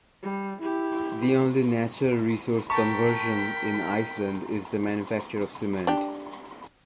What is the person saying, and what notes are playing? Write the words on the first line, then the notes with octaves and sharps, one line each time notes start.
The only natural resource conversion in Iceland is the manufacture of cement.
G3
E4 G4
A#4 G5 A5 A#5 C#6 B6
D4 G4